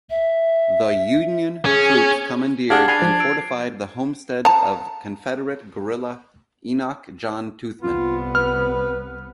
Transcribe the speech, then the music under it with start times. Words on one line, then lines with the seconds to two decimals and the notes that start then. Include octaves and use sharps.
The Union troops commandeered and fortified the homestead of Confederate guerrilla Enoch John Toothman.
0.10 E5
1.65 C#4 G#4
2.70 D4 G4 G#4 F5 F#5 G#6
2.88 D4 G#5 B5 A6 C7 F7
3.02 F3
3.20 E6 C7 D7
4.45 A5 A#5
7.83 C2 B3 F4
8.35 B4 F6